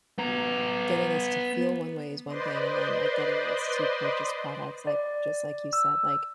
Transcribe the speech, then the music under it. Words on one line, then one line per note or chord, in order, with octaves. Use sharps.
getting us to feel one way is one thing, and then, like, getting us to purchase products, like just like you said, like
B3 A#5
B4 C5 D5 D#5 C6
D5
E6